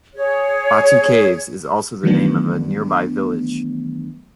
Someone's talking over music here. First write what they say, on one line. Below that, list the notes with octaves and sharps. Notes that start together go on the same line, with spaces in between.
Batu Caves is also the name of a nearby village.
G#4 C#5
D#3 E3 F#3 A3 B3 D4